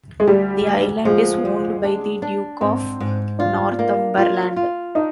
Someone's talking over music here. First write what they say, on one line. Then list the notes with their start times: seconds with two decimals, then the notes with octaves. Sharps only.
The island is owned by the Duke of Northumberland.
0.20 G#3
0.28 D2 G3
0.67 D2
1.05 F3 G#3
1.45 D2
1.84 D4
2.22 D4
2.61 G#2 C4
3.00 G#2
3.39 D4 F4
3.79 A#3
4.18 F4
4.56 F4
4.95 D4 D#4